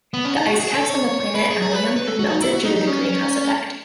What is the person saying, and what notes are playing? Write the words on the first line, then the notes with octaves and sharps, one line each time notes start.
The ice caps on the planet Allium have melted due to the greenhouse effect.
B3
C#4
D#4
F#4
G#4
A4
C#5
C#5
C#5
B4
G#4
G#4
B4
C#5
B4
A4
F#4
D#4
E4
F#4
D#4
D#4
C#4